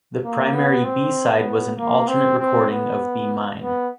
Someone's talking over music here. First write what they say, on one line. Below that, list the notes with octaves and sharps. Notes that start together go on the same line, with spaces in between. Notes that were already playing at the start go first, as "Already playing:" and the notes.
The primary b-side was an alternate recording of "Be Mine".
A#3
B3
C4
B3
A#3
C4
C4
B3
B3